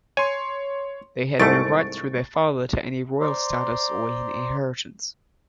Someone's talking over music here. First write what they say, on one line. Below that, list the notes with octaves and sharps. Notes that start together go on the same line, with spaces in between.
They had no rights through their father to any royal status or inheritance.
C#5 G#5 C6
C2 G#2 A3 C#6 A6 D7
C5 D5 A#5 C6